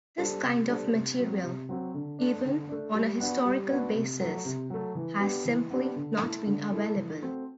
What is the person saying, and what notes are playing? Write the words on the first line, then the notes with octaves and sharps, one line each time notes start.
This kind of material, even on a historical basis, has simply not been available.
G3 D4 A4 C5
C3
G3 D4 A4 C5
C3
F#3 C4 F#4
C3
F#3 C4 F#4
D3
A3 D4
D3
A3 D4
G3
B3 D4 F#4
G3
B3 D4 F#4
C3
F#3 A3
C3
F#3 A3
E3
B3 D4 G4
E3
B3 D4 G4
D3
A3 E4 A4
D3
A3 E4 A4
E3
A3 C4 F#4